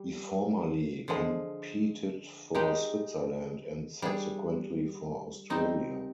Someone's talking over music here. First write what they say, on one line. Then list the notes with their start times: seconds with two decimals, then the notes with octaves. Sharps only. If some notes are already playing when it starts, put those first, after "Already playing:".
He formerly competed for Switzerland, and subsequently for Australia.
Already playing: G3
1.08 D3 F3 G#3
2.55 G#3 D#4 G4
4.02 G3 D4 G#4
5.50 G3 C4 D#4